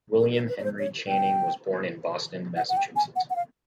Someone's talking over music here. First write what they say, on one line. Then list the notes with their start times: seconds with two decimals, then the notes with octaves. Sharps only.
William Henry Channing was born in Boston, Massachusetts.
0.20 A4
0.34 A#4
0.49 B4
0.59 C#5
0.64 C5
0.79 C#5
1.08 G5
2.56 F#5
2.69 F#5
2.77 G5
2.96 G#5
3.16 F#5
3.30 F#5
3.36 F5